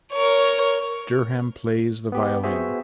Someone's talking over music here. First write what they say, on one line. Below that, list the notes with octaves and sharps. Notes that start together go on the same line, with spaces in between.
Derham plays the violin.
A#4 C#5
B3 G4
B3 F#4 G#4 C5 E5 G#5